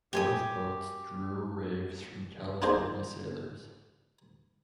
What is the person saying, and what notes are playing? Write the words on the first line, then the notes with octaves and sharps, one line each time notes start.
Both boats drew raves from California sailors.
G4 G#5 D#6
D4 D#4 F4 G#4 A#4 C5